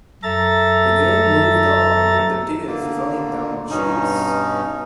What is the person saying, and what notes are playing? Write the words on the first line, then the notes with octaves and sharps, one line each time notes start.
The girl moved on with the tears running down her cheeks.
F#2 A4 E5 A#5 A6
D3 A#3
G2 B2 C#4 D#4